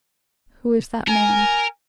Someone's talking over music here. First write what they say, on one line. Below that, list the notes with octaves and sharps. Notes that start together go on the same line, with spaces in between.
Who is that man?
A#4 G#5